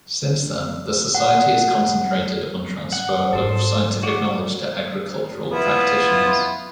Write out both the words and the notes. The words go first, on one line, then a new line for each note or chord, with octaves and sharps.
Since then, the Society has concentrated on transfer of scientific knowledge to agricultural practitioners.
F#5
F#5
G#2 B3 A4 C5
F#4 C#5 D5
B3 E4 F4